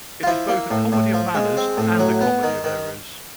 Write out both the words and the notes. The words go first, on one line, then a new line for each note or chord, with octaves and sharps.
It is both a comedy of manners and a comedy of errors.
F4
F3 E4
A#3
A2
A2
F3
G#3
C4
A2
F#3
B3
D#3
D#3